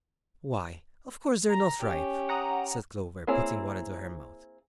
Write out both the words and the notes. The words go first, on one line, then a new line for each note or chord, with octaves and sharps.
"Why, of course they're not ripe!" said Clover, putting one into her mouth.
A#5
C#4 G4
F#5 A#5 D#6
A#3 C4 E4 G#4 C#5